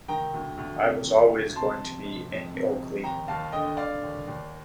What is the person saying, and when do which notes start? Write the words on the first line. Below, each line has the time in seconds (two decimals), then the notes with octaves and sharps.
I was always going to be Annie Oakley.
0.08 D#3 G5 A#5
0.33 D2
0.58 D2
0.82 C3
1.07 D#3
1.32 D2
1.56 C3 A5 C6
1.80 F1
2.05 F1
2.30 F2
2.54 C3
2.79 F1
3.03 D#2 G5 A#5
3.28 D#2 F5 A5
3.52 D3 D#5 G5
3.77 D3 D5 F5
4.02 D#2
4.27 D#2